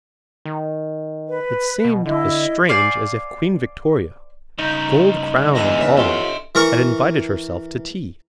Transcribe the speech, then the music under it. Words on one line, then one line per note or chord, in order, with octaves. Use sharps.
It seemed as strange as if Queen Victoria, gold crown and all, had invited herself to tea.
D#3
B4
B2
D3 E4 D#5
C5 D5 F5 G#5
G2 C#3 D#4
E2 G#2 D3 D#5
C#3 B3 D4 E5
F3 C#4 G4 A4 E5 C6
E3 A#4 C#6